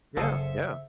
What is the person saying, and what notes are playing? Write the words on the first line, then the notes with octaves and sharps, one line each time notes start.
Yeah, yeah.
F#1 C#3 G#4 A4 C5 E5 F#5